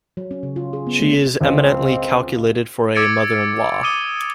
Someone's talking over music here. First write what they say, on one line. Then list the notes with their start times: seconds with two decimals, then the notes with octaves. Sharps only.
She is eminently calculated for a mother-in-law.
0.17 F#3
0.31 C#4
0.43 C#3
0.56 F4
0.73 G#4
0.87 B3
1.00 A3
1.41 C#2 C4
2.95 D6 E6 G#6 A6 C#7 D7
3.83 D6 D#6 D#7 G7